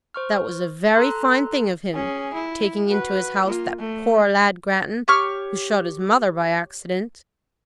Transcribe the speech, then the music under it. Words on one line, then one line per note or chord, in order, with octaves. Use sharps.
That was a very fine thing of him,--taking into his house that poor lad Grattan, who shot his mother by accident.
C5 C#6 F6
A4 A#5 C6 F#6
C#4 G#4
E4
F#4 B4
A#3 F4
A3
G4 C#5 C#6 F6